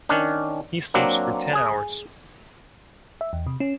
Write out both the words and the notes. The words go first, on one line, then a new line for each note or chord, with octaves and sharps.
He sleeps for ten hours.
D#3 C#4 D4
F#3 A#3 C4 D4
G#4 G#5
E5
E2
C3
C#4